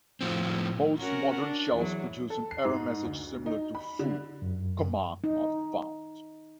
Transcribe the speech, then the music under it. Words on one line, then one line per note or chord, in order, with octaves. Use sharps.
Most modern shells produce an error message similar to "foo: command not found".
A2 F3 C4
C#4 F#4 A#4
D4
E2 F#3
A4
C7
G#2
D2
D#4
B5
D3
F#2
D#4